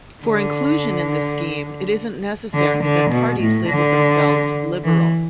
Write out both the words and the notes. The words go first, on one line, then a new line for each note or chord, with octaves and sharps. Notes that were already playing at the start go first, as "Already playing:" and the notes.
For inclusion in this scheme it isn't necessary that parties labelled themselves 'liberal'.
D3
D3
D3
B2
A2
D3
E3